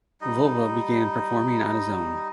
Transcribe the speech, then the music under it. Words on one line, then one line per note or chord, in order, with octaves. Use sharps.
Vova began performing on his own.
G3 D#4 D#5